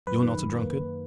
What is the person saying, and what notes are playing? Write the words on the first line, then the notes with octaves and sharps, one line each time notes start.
You're not a drunkard!
F#2 B4
D#3
F#2
A#3